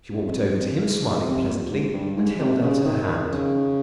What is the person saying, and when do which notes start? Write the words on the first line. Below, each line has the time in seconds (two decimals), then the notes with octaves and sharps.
She walked over to him, smiling pleasantly, and held out her hand.
0.11 G2
0.26 F2
0.41 G2
0.56 F2
0.79 G#2
1.03 G#2
1.26 C3
1.47 A#2
1.71 G#2
1.93 G2
2.16 G#2
2.39 C3
2.62 C#3
2.85 D#3
3.07 D#3
3.31 C#3